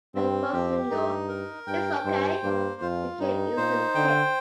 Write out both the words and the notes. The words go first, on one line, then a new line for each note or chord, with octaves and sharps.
Her first single, "It's ok", became an instant hit.
G2 C4
F2 G4
G2 D#4
A#4
G2 G5
G2 C5
G2 A#3
F2 F4
G2 D#4
A#2 C5
D3 G5